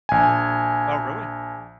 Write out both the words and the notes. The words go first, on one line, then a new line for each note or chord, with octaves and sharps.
Oh, really?
A#1 G#5